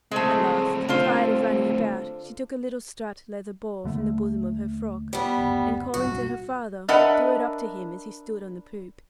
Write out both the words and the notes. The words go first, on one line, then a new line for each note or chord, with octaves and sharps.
At last, tired of running about, she took a little striped leather ball from the bosom of her frock, and calling to her father, threw it up to him as he stood on the poop.
D2 G#3 A3 C4
D3 F4 C5
D#2 D3 A3
G3 B3
F#1 D2
D1 B1 G2 F#4
D4 A#4 B4 D#5 E5 F#5